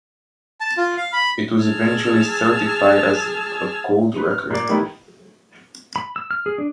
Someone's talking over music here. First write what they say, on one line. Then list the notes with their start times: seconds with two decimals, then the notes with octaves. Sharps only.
It was eventually certified as a gold record.
0.60 A5
0.77 F4
0.97 F5
1.13 B5
1.64 G#4 A5 E6 F6 G#6
4.17 B4
4.31 F6
4.50 A#2 D5
4.69 D#3 G3 A3 B3 D#4 E4
5.96 B5
6.16 E6
6.31 F6
6.46 G#4
6.58 D4